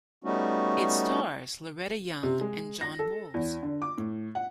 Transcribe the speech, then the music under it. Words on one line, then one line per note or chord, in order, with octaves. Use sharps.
It stars Loretta Young and John Boles.
G3 A3 B3 C#4 D#4 F#4
C3
G#3
A#6
A4
E2
D3
D6
A2
F#5